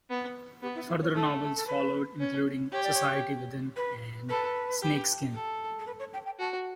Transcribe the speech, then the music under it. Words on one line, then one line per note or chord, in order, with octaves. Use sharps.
Further novels followed, including "Society Within" and "Snakeskin".
B3
B3 G4
E4
E4
C#5
A3 A4
A4
B4
C#4
G4 C#5
D5
C#5
B4
A4 B4
G4
A4
A4
B4
C#5
G5
G5
F#4 A5